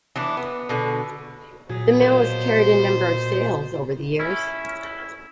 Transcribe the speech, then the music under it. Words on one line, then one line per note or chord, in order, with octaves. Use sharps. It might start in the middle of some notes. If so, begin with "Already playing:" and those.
The mill has carried a number of sails over the years.
E3 B3 D4
B3
B2 D3
A#2 F#3 G#4
B2 A#3 C5
C#4 E4